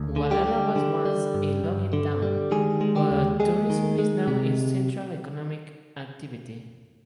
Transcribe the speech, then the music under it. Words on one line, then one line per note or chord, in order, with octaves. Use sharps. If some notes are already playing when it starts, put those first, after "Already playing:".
Gualala was once a logging town, but tourism is now its central economic activity.
Already playing: D2
D3
G3 G4
G3
D3
G3
G2
G2
D3
G3
D#3 G#3 G#4
G#3
G3 G4
D#2
D#2 G#3 G#4
D#3
G#3
C3